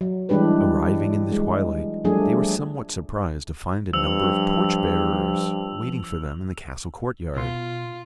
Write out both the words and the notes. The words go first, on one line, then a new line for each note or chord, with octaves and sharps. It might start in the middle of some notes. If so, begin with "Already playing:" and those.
Arriving in the twilight, they were somewhat surprised to find a number of torchbearers waiting for them in the castle courtyard.
F#3
E3 G3 G#3 D4 G4 B4
G#3
F3 G3 A3 D4 G#4
G2 F3 E6 F7
B2 F4 C6